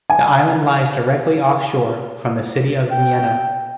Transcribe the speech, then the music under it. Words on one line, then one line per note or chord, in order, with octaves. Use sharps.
The island lies directly offshore from the city of Vienna.
G#5
G5